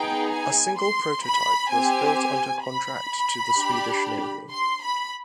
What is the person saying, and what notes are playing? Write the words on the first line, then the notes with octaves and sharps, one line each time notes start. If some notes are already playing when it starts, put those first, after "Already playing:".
A single prototype was built under contract to the Swedish Navy.
Already playing: B3 D#4 G#4 G5
G#5
C6
B5
C4 G4 G#5
B5
D4 G4
C6
B5